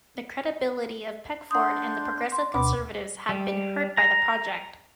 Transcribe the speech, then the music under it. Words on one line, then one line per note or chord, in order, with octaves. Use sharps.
The credibility of Peckford and the Progressive Conservatives had been hurt by the project.
D4 F#5 C6 D#6 G6
C6
D2 B2 B5 D6
G3
A#5